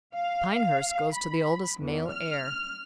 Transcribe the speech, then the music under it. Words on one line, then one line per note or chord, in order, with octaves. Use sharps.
Pinehurst goes to the oldest male heir.
F5
B5
E2
F6